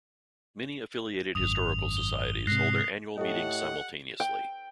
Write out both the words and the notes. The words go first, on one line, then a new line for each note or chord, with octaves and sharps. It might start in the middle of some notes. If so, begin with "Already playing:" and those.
Many affiliated historical societies hold their annual meetings simultaneously.
G#1 F#2 D#6 F7
G7
G#2 C3 F#6 A#6 C7
A2 G4 A4 D#5 F#5
G5